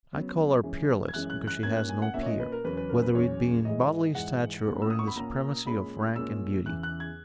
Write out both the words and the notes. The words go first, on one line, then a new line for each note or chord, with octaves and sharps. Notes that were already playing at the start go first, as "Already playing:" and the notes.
I call her peerless because she has no peer, whether it be in bodily stature or in the supremacy of rank and beauty.
C#3 F#3 B3
F#2 E3 G#3 C#4
G#6
F#2 E3 G#3 C#4 F#6
F#6
F#6
A#2 A#3 C#4 G#6
F#6
G#5
F#5
A#2 A#3 C#4 E5
C#5
D#5
B4
A#4
E2 C#3 F#3 C#4 B4
B4
A#4
B4
E2 C#3 F#3 C#4 C#5
G#2 E3 G#3 D#5
G#2 E3 G#3 F#5
A#2 A#3 C#4
E6
D#6
C#6
B5
A#2 A#3 C#4 A#5
A#2 G#3 C#4 B5
A#2 G#3 C#4 E6
E2 C#3 E3 F#6
F#6
G#6